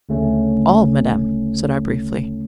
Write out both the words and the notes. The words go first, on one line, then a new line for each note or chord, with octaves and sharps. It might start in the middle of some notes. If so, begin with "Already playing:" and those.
"All, madame," said I, briefly.
D2 C#3 A3 C#4